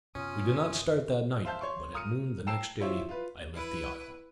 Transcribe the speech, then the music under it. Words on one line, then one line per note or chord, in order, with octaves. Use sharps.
We did not start that night, but at noon the next day I left the isle!
F#2 C3 B3 C#4 F4 D#6
C5 E5 F5 A5 G6
C#5 C6 C#6
A#5 D#6 F6 C#7 D#7
G5 A5 A#5 E6 C7 E7
E4 F4 C5 C#5 E5
F4 B4
E4 B4